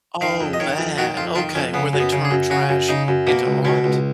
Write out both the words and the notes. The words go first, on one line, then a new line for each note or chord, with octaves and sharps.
Oh, that, okay, where they turn trash into art?
D#3 F5
F2
D#5
D#3 C#5
F2
D#3 F#4
F2 F4
D#3 F4
F2 C#4
C#3 B3
F#2
B3
C#3
G#4
F#2
C#3 F#4
F#2
C#3 D#4
F#2
B2 A#3
C#2
B2 C#4
C#2